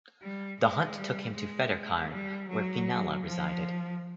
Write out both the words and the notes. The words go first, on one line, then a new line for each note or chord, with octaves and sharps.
The hunt took him to Fettercairn, where Finella resided.
G3
G#3
G3
G#3
G3
F#3
F3